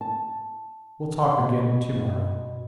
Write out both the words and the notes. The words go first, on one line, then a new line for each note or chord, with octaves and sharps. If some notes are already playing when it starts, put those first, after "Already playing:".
"We'll talk again to-morrow."
A5
B2